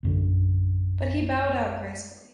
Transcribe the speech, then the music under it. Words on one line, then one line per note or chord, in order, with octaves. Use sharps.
But he bowed out gracefully.
A#1 F#2 D3